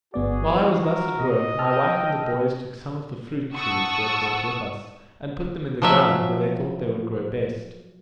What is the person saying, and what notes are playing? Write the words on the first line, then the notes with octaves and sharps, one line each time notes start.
While I was thus at work, my wife and the boys took some of the fruit trees we had brought with us, and put them in the ground where they thought they would grow best.
G1 B3 F#4 G#4 D5
E3
A#4
B2 D#5
G5 A5 E6 F6
F#5 A5 C#6 D#6 E6
F3 F#3 E5